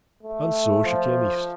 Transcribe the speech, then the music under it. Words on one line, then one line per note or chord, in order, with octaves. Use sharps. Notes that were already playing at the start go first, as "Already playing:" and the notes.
And so she came east.
A3
F3